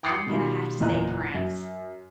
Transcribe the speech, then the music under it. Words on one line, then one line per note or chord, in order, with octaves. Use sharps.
I'm gonna have to say Prince.
G5 D6 D#6 A6 C7 C#7
B2 D#3 G3 F4
F#1 E2 A#2 D#5 A#5 F#6
F#2